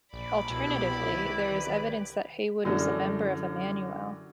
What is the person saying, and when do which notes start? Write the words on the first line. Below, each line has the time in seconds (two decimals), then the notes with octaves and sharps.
Alternatively, there is evidence that Heywood was a member of Emmanuel.
0.13 A#1 D5 B5
0.51 C2 B2 B3 E4 G4
1.11 D#3 G4 B4
2.65 F#2 D3 E3 G3 G#3